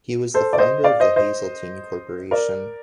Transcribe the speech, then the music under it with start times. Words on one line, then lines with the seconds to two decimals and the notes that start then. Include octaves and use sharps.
He was the founder of the Hazeltine Corporation.
0.34 A4 C5
0.53 D5
0.59 C5 D#5
0.84 D5 F5
1.00 C5 D#5
1.16 C5 D#5
2.31 A#4 D5